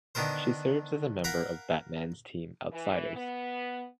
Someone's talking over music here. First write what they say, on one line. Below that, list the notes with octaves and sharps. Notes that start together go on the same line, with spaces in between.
She serves as a member of Batman's team Outsiders.
D3 D#3 B3 A#4 C5
A#4 F5 F#5 A#5 B5
E3
B3